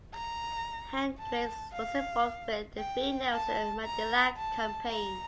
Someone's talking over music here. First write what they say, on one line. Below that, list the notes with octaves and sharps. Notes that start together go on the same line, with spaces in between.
Hendricks was involved with the Free Nelson Mandela campaign.
A#5
A5
F5
G5
A5
A#5
A5
A#5